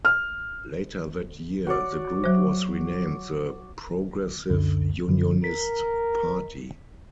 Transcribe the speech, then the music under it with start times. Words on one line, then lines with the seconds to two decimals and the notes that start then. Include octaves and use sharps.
Later that year, the group was renamed the "Progressive Unionist Party".
0.05 F6
1.67 F#4 C#5 D5
2.24 F#3 C5
4.49 C#2 F#2 D3
5.08 F#2 D3 F3
5.44 A#4 B6